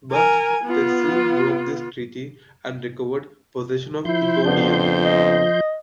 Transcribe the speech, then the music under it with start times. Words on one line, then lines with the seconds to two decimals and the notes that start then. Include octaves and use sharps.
But they soon broke this treaty; and recovered possession of Hipponium.
0.12 A#4 G#5
0.64 B3 F4
4.05 F3 E4 C6 G6
4.45 F2 C#3 B3 D4
5.03 D#5